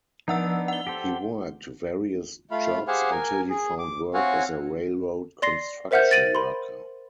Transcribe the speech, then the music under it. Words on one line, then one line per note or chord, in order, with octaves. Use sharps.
He worked various jobs until he found work as a railroad construction worker.
F3 B3 D4 D#4 F#5 E6
F#5 G7
G4 A4 C5
A3 F4 F5 B5
G4 G#4 C5 F5 F#5 G#5
A#4 G#5
G#4
D6
C4 F#4 C#5 F5 F#5 G#5
D5 C6 A#6 C7
A#4 C5 E5 F#5 F6 G6
A6 A#6 D7 D#7 F#7
B5 C6